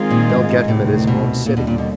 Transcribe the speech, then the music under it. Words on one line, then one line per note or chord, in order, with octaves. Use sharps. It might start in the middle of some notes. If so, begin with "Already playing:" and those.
"They'll get him at his home city."
Already playing: D#3 G#3 C4 F4 G#4
A#2
G#2
G#2
D2 A2 C3 D#3 G3 C4
B2
D#2 A#2 D3 G3
B2
A#2
B2